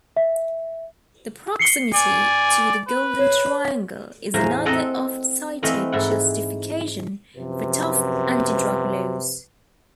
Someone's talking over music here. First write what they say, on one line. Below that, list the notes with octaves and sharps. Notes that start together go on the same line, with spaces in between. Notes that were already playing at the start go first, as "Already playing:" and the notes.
The proximity to the Golden Triangle is another oft-cited justification for tough anti-drug laws.
E5
C7 C#7 G7
D5 G#5
B4
C#5
E2 A2 C5 F5 G#5 A#5
C4 A4 D#5 F#5 A5 A#5
E3 A3 C4 D#5 F5
G#2 E4 F#5
F#2 C3 F3 B4